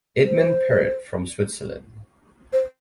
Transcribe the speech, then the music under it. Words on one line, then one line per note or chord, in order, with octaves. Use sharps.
Edmond Perret from Switzerland.
C5
C5